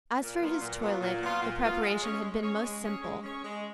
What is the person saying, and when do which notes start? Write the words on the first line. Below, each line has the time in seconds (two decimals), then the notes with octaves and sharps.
As for his toilet, the preparation had been most simple.
0.20 A#2
0.41 F#3 B3 F4
0.61 A#2
0.82 F#3 B3 F4
1.01 A#2
1.22 F#3 B3 F4
1.42 A#2
1.63 F#3 B3 F4
1.82 G#3
2.02 C#4 G#4 C#5
2.22 G#3
2.43 C#4 G#4 C#5
2.63 G#3
2.83 C#4 G#4 C#5
3.03 G#3
3.23 C#4 G#4 C#5
3.44 G#3